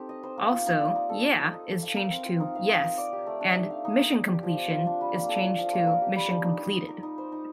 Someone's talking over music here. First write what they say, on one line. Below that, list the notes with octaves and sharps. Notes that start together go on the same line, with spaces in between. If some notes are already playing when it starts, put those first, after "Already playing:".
Also 'Yeah' is changed to 'Yes' and 'Mission Completion' is changed to 'Mission Completed'.
Already playing: C4 D#4 G4 A4
D#5
C5
A#3
F4
D#4
D5
D#4
A4
D#4
D#5
D#4
A4
F5
A#4
C4
F4
D#4
F5
D#4
A#4
D5
G4
A3
D4
D#4
F5
D#4
A#4
D5
G4
F3
C4
F4
D4
G3
A#3
A4
F4
F3
A#3
A#4
G4
G3
D4
D#4
D#5
D#4
A#4
D#4
C5
D#4